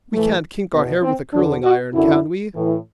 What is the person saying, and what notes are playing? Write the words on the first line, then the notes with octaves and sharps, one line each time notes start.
We can't kink our hair with a curling-iron, can we?
A2 E3 A3
E2 B2 B3
C4
E2 D3 D4
F#4
F#2 D3 E4
A2 E3